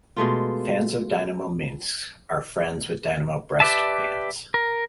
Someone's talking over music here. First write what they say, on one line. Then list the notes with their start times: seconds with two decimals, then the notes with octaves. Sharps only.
Fans of Dinamo Minsk are friends with Dinamo Brest fans.
0.17 B2 G#3 A3 F4
3.60 G4 B4 D5 E5 A5
4.54 A#4